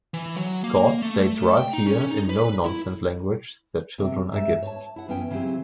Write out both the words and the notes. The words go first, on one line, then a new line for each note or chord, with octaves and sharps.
God states right here in no-nonsense language that children are gifts.
E3
F#3
A#3
A3
G5
D#4
C#4
D#4
B4
E4
C3
G#2 E5
C#5 A5
E4 F#5
F#2 E3 B3 C#4 F4 G5
C#3 E3 F#3 C4 G4